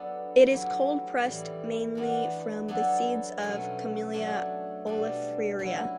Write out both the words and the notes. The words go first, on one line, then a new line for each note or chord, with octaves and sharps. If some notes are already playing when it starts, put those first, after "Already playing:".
It is cold-pressed mainly from the seeds of "Camellia oleifera".
Already playing: F#3 B3 D4 A4
F#3 A3 E4 G4
A2 E3 G3
E3 B3 D4 F#4
F#3 B3 D4 A4
B2 F#3 A3 C#4
F#3 A3 D4
B2 G3 D4
F#3 C#4 E4